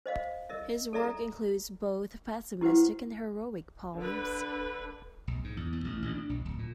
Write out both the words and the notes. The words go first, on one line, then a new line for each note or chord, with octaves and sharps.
His work includes both pessimistic and heroic poems.
C5 D#5 F5
A#4 D#5 E5
A4 D5 E5 A#5
E4 F#4 B4 C5 F#5
D3 B4
B1
G#2
E2
E2
A1
A1
D4
B1
D1
A#2